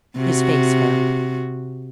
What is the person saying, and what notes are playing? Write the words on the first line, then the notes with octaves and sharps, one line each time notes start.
His face fell.
C3 F#4